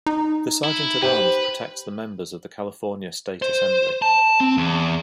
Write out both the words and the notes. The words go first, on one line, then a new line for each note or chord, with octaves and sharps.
The Sergeant-at-Arms protects the members of the California State Assembly.
D#4
E4
G4 B4 C5
C5
A5
C4
E2